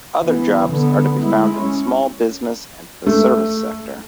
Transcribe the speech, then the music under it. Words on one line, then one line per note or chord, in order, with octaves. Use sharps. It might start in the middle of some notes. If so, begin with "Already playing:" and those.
Other jobs are to be found in small business and the service sector.
E3 B3
D3 B3
G#3 E4
C#4
A3